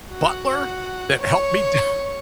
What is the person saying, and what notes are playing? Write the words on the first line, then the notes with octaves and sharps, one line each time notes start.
butler that helped me down
F#4 F#5
C#5 C#6